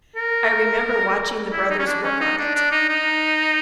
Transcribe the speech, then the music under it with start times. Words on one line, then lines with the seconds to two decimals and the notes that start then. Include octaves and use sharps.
I remember watching the brothers work on it.
0.16 A#4
1.52 E4
1.70 D#4
1.78 C#4
1.86 D4
2.03 C#4
2.20 D#4
2.37 D4
2.55 D4
2.71 D#4
2.89 D#4